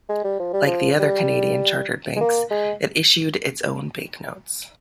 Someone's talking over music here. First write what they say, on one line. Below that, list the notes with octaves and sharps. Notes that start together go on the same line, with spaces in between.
Like the other Canadian chartered banks, it issued its own banknotes.
G#3
G3
F3
G3
F3
G3
G#3
A#3
G#3